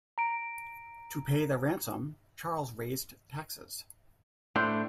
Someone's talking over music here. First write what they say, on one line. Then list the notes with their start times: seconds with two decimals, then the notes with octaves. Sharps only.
To pay the ransom, Charles raised taxes.
0.18 A#5 D7
4.56 A2 A3 D4 C5